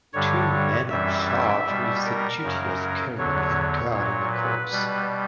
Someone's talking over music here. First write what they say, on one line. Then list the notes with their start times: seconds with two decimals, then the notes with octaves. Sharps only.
Two men are charged with the duty of carrying and guarding a corpse.
0.13 G2 D3 G3 C#5
0.90 F#2 E3 G3 E5
1.29 E5
1.66 B2 G3
2.04 A#4
2.43 F#2 C#3 F#3
3.18 E2 D3 F#3 C#5
3.94 A#2 F#3 C#5
4.32 B4
4.71 B2 G3